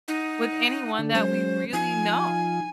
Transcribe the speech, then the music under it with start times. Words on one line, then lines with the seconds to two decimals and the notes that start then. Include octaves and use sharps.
with anyone that we really know.
0.08 D#4 F#5
0.99 D3 D4 A4
1.15 F#3 G#3 C#4 C5
1.73 F3 D#4 F4 G#5